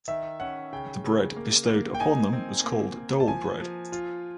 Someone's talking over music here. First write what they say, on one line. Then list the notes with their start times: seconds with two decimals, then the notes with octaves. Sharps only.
The bread bestowed upon them was called dole-bread.
0.08 D#3 E5
0.40 C#4 F#5
0.73 C#3 G5
1.04 C#3
1.36 A#3
1.68 A#3
1.94 G5
2.00 D#4 G#5
2.33 C4
2.64 A#3
2.96 A#3
3.20 A5
3.28 F3 G#5
3.61 F3
3.92 F4